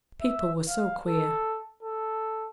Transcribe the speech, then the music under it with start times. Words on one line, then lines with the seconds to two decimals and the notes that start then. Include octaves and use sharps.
People were so queer.
0.21 E5
0.69 F5
1.07 A4
1.83 A4